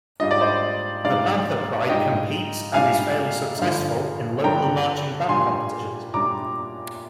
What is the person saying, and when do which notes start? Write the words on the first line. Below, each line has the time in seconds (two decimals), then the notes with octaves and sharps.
The Panther Pride competes, and is fairly successful, in local marching band competitions.
0.20 G#2 G3 D4 F4 D#5
0.31 D5
0.41 C5 D#5
1.05 G#2 G3 D4 F4 D5 F5
1.89 G#2 G3 D4 F4 D#5 G5
2.74 G#2 G3 D4 F4 F5 G#5
3.59 G2 D3 F3
4.44 G2 D3 F3 G5 A#5
5.29 A#2 G3 D4 G#5 C6
6.14 A#2 G3 D4 A#5 D6